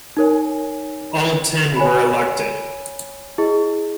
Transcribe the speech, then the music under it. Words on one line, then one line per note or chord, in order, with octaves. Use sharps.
All ten were elected.
D#4 A#4 C#5 G#5
C#5 G#5 B5
E4 G#4 D#5